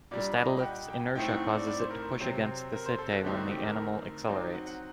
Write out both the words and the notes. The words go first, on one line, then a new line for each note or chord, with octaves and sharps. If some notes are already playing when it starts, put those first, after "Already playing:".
The statolith's inertia causes it to push against the setae when the animal accelerates.
A#2 G3 D4 D5
D#5
G5
F#5
G5
A2 A3 C4 D#4 G5
F#5
D5
D5
C5
A#4
C5
C3 F#3 C4
A#4
C5
A4
F#4
D3 A3 C4 D#4 G4
F#4
G4
A#4
F#3 C4 D#4 D5
F#5
F#5